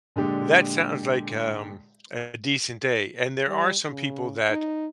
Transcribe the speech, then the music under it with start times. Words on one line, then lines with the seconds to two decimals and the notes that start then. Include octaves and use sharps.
that sounds like, um, a decent day and there are some people that
0.16 A#2 D3 G#3 G4
3.47 G3
3.90 C#3
4.50 D#4